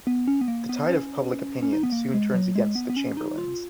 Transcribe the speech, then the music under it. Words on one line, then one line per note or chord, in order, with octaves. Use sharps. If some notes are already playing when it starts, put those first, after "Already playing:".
The tide of public opinion soon turns against the Chamberlains.
B3
C#4
B3
A#3
B3
C#4
C#4
D#4
B3
A#3
G#3
F#3
G#3
B3
B3
C#4
D#4
F4